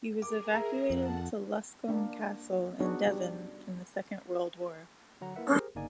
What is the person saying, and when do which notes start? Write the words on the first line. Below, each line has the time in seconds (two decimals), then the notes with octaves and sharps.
He was evacuated to Luscombe Castle in Devon in the Second World War.
0.22 G#4 A#4 D6
0.54 E5 A#5
0.90 F2 F#5 A5
1.88 A#3 D4
2.80 B3 D4 D#4 F#4 G#4 C#5
3.07 G3
5.21 D3 F#3 F#5 A#5
5.36 A#3 E4 A#4 B4 E5 F#5
5.52 G4 G#4 A#4 C5
5.75 G1 C#3 A#3 D#4 D5 G#5